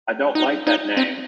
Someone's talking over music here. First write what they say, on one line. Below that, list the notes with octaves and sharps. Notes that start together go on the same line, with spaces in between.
I don't like that name.
D#4
D#4
C4